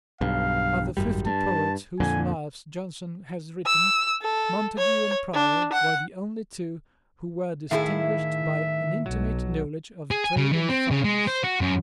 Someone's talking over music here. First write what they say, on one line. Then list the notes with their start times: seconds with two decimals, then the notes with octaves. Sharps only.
Of the fifty poets whose lives Johnson has written, Montague and Prior were the only two who were distinguished by an intimate knowledge of trade and finance.
0.21 B1 G2 F5
0.97 G#1 F#2 G3
1.27 G2 A5
2.00 F2 A#2 D3 G#5
3.66 E6
4.22 A4
4.78 C#5
5.34 D4
5.73 F#5
7.71 A2 D#3 E4 G#4 E5 F5
9.06 B1 F#3
10.11 G#4
10.24 G#5
10.37 C#3
10.53 E3
10.69 C4
10.91 C#3
11.04 G#3
11.27 C5
11.44 F#4
11.61 F#2